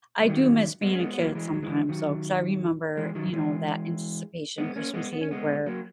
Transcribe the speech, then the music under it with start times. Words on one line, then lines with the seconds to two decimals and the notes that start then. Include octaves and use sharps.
I do miss being a kid sometimes, though, 'cause I remember, you know, that anticipation, Christmas Eve, where
0.22 G#3
0.28 D#3 F#3
0.81 G#3 B3
0.95 C#4
0.99 G#3 B3
1.13 B3
1.18 F#3 A#3
1.32 F#3
1.35 E3 G#3
1.54 F#3
1.63 E3 G#3
1.89 D#3 F#3
2.97 E3 G#3
3.15 D#3 F#3
3.33 E3 G#3
4.58 G#3 B3
4.76 A#3 C#4
4.94 G#3 B3
5.13 B3
5.21 C#4
5.31 G#3 B3
5.66 F#3 A#3